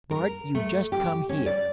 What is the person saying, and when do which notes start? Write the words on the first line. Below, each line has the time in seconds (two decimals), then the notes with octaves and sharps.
"Bart, you just come here!"
0.11 A#4
0.55 A3
0.92 G4
1.29 C#4
1.46 D5